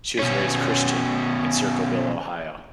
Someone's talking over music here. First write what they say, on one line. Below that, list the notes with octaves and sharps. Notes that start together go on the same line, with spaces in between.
She was raised Christian in Circleville, Ohio.
B2 C#4